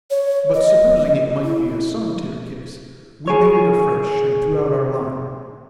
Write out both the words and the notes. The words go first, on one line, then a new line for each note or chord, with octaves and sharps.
But supposing it might be a solitary case, we baited afresh, and threw out our line.
C#5
D#5
E4
G#4 C#5